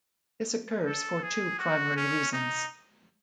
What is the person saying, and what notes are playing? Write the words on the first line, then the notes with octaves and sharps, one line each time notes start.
This occurs for two primary reasons.
A4
G#4
F#4
C#4
D#4